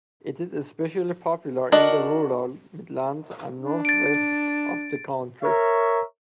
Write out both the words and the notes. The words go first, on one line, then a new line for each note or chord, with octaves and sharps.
It is especially popular in the rural Midlands and North-West of the country.
D4 F#4 A#4 D5 D#5
D4
A6 D7
A#4 C#5 E5